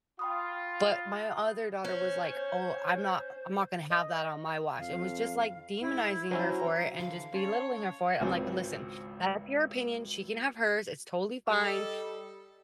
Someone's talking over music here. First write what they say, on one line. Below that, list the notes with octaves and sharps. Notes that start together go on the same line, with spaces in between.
But my other daughter was like, "Oh, I'm not I'm not gonna have that on my watch," and was just, like, demonizing her for it and just belittling her for it, I'm like, "Listen, that's your opinion, she can have hers, it's totally fine,
F4 G5 B5 D#6
C#4 C5 C#5
D#5
F2 F5
G#2 E4
F#3 C#4 E4 F#4 C5 A#5
D3 E3 F5
C#4 C#5 A5 C6
G#1 C#2 C5 G#5
G3 A4 D#5